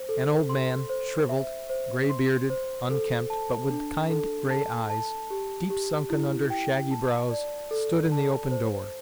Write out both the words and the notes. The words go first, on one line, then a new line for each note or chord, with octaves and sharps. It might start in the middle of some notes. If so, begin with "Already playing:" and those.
An old man, shriveled, gray-bearded, unkempt, but with kind gray eyes, deep-sunken under shaggy brows, stood in the open door.
Already playing: C5
A4
C6
C5
E5
C5
C6
C5
A4
A5
D4
A4
A5
A5
G4
G4
E4
G5
A5
D5
A4
A5
C5